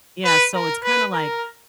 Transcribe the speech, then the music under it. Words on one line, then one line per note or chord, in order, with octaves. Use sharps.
Yeah, so it's kinda like
B4
A#4
B4
A#4